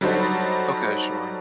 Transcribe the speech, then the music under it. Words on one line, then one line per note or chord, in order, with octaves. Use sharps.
Okay, sure.
F#3 G3 D#4 F#4 A4 C5